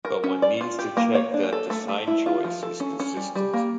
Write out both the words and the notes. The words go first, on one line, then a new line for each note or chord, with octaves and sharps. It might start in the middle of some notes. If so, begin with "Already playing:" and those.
But one needs to check that the sign choice is consistent.
A#4
C#4
D5
F4
G4
A#3
C#5
D4
A4
A3
A3
E4
F4
F3
A4
C#4
C#4
G3
G3
A#3